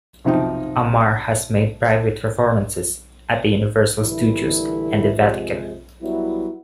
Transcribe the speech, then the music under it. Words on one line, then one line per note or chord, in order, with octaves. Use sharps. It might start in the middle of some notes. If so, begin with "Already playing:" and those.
Ammar has made private performances at Universal Studios and the Vatican.
B1 F2 C3 F3 D#4 G5
A#2 D3 E3 G3 A3 E4
F2 C3 G#3
F#3 G3 B3 E4